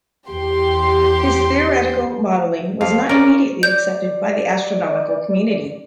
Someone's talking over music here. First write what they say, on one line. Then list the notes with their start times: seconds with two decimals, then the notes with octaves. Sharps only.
His theoretical modeling was not immediately accepted by the astronomical community.
0.29 E2 G4 C6
2.81 F2 F5
3.09 C#4 A#4 D5
3.63 D5 G6